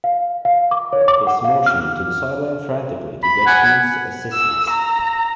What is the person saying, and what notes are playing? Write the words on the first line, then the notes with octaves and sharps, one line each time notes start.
Butkus motioned to the sideline frantically to get Hughes assistance.
F5
F5
D6
C#5
D6
F#5
F5
F6
B5
F#5 G#5
E6
A#5